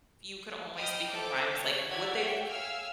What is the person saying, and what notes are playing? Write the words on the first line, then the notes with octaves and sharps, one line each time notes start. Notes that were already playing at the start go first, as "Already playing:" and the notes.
you could only speak in rhymes, like, would they f
D#5 G5 B5 D#6 F6
A4 C5 E5 G5 A5 D6
C#5
F#4 D5 E6 G#6 B6
C#5 E5 G5
F5 G#5 E6 F6